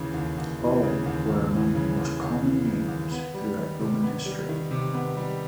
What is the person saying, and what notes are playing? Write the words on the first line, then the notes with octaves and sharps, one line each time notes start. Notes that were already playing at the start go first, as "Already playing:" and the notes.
All were among the most common names throughout Roman history.
Already playing: D#2 C#3 E3
D#2
D#2
E3
C#3
D#2
D#2
E3
C#3
D#2
D#2
E3
C#3
D#2
B3
G3
D#3
C3
B3
G3
D#3
C3
B3
G3